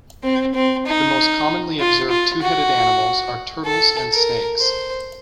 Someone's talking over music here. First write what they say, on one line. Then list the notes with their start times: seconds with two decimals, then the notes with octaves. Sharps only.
The most commonly observed two-headed animals are turtles and snakes.
0.23 C4
0.55 C4
0.86 D#4
1.79 F4
2.10 F4
2.42 F#4
3.66 A4
4.13 A#4
4.59 C5